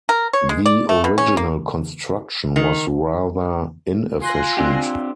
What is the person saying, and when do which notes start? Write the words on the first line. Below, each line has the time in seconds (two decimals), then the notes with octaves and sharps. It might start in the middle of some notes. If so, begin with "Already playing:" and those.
The original construction was rather inefficient.
0.09 A#4
0.33 C#5
0.49 G#3
0.66 D5
0.89 A3
1.04 B2
1.18 C#4
1.37 A#3
2.56 D#3
4.21 F4 G#5 C6 F#6 A#6
4.57 C4 D4 G4